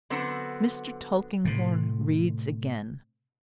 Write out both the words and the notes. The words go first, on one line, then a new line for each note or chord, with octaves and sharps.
Mr. Tulkinghorn reads again.
D3 F#3 B3 C4
A2 C3